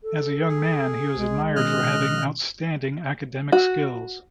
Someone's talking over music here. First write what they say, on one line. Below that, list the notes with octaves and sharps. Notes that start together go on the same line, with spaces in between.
As a young man he was admired for having outstanding academic skills.
A4
G#4
C2 G#3
B2 D#3 C#4 D#5 F6 F#6
F#4